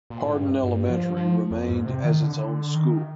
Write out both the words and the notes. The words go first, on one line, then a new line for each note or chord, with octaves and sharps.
Hardin Elementary remained as its own school.
A#2
G#2
G2
G2
F3
F3
F2
G#2
C3
D#3
D3
D#3